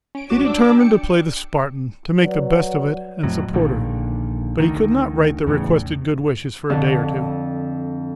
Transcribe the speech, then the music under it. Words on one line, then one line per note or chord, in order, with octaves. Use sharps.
He determined to play the Spartan; to make the best of it, and support her; but he could not write the requested good wishes for a day or two.
C#4 D7
A1 F#3 F#4 D6 E7
D4 D6 E6
G5 C#7
F#3 B4 D5 F#5
F2 A2 F#3
A#1 A#2 D3 D#3
D2 D#3
E2 A2 C#3
F2 D3